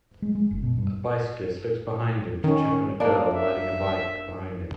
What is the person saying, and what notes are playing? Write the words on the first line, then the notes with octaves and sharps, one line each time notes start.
A bicyclist looks behind him to check on a girl riding a bike behind him.
G#3
G#3
F#1
B2
G2
D#3 C#4
A#3 D4
E5